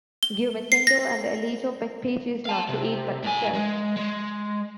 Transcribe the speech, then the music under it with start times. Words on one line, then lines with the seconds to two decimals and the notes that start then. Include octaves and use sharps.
Gumecindo and Alejo pick peaches, not to eat, but to sell.
0.23 G7
0.72 C7
0.87 A#6
2.45 F5 A5
2.69 C3
3.24 A2 G#5
3.55 G#3
3.97 G#3